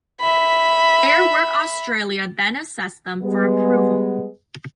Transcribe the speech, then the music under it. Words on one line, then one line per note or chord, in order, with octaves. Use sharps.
Fair Work Australia then assess them for approval.
E5 B5
G3 G#3 B3